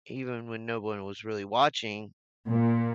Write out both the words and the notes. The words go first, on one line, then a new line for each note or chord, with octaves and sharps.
even when no one was really watching,
A#2